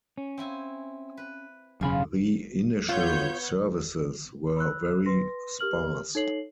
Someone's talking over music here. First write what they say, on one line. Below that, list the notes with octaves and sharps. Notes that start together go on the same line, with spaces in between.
The initial services were very sparse.
C#4
C4 E4 G#5
B4
E1 F#2 C#3 C#4 F4 G#5 B5
B3 F4 C#5 G6
B5 E6 F#6
B4 C6 A#6
G4 A#4 F6 F#7
D#4 A4 C#5 C7 F#7